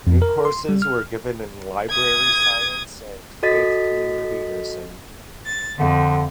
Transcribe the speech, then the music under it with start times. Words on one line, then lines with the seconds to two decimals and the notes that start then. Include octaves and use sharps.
New courses were given in library science and faith community nursing.
0.07 F2
0.22 A#4
0.45 C6
0.69 G3
0.82 F6
1.90 D#6 G#6
3.43 F#4 A4 D#5 A6 B6
5.46 A6
5.78 F2 D3